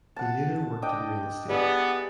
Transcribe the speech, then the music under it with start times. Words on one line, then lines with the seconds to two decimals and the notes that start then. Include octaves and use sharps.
He later worked in real estate.
0.16 F#5 A5
0.82 D4 D#5 G5
1.49 B3 E4 G4 G#4 D5 E5